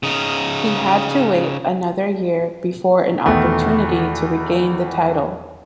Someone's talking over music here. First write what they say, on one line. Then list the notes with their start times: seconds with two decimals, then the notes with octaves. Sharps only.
He had to wait another year before an opportunity to regain the title.
0.03 C#3 D#4
3.25 E2 B2 D#3 A3 B3